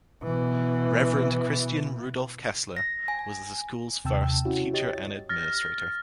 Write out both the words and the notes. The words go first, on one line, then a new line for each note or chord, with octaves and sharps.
Reverend Christian Rudolph Kessler was the school's first teacher and administrator.
B2 E3
A#6
G#5
D#2 C3 G5 A5 E6
C#4 E4 F#4
G4 C#5 D#5 A6
F6 A6 A#6